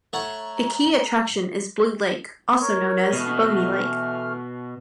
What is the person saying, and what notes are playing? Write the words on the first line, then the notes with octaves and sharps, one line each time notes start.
A key attraction is Blue Lake, also known as Bomi Lake.
A3 C#5 F#5 A#5
A#4 C#5
B2 E3 A3 F6